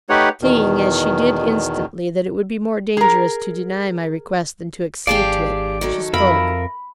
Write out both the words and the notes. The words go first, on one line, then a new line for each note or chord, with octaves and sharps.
Seeing, as she did instantly, that it would be more dangerous to deny my request than to accede to it, she spoke.
A3 D#4 G4 B4 C#5 F#5
E2 B2 D#3
G#4 A#4
G#1 G4 G#4 D5 F5 A5
D#3 F#3 A4
F2 A#4 E5 F5 B5